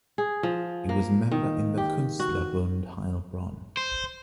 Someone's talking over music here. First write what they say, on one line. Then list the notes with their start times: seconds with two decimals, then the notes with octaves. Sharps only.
He was member in the Künstlerbund Heilbronn.
0.18 G#4
0.43 F3
0.89 A#3
1.32 D#3
1.77 G4
2.20 F#4
3.77 C5